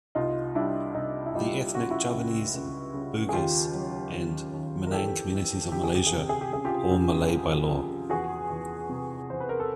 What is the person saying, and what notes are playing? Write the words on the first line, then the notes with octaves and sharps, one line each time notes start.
The ethnic Javanese, Bugis and Minang communities of Malaysia are all "Malay" by law.
C2 D#4 F4
G3 D4 E4
C2 D#4
E4
G3 D#4 F4
C#3 F#4
F4
E4 F#4
C#2
C#2
C#3
G#4
D#2 F4 G4
F#3
D#2
D#2
A#4
E3 G4 A4
E3
D2 G4
G#4
G4
G#4
C3
G4
G#4
G4
C#3 G#4
F4 G4
F#2
F3
F3
E2 F#4 G#4
E2
C3
E2 C5
B4
A#4
A4